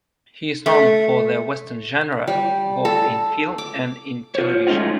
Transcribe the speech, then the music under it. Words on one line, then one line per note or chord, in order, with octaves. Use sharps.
He is known for the Western genre, both in film and in television.
A3
G3
A4
D6
F4 C5 C#5
G#3 A3 C#4 D#4 F4 F#4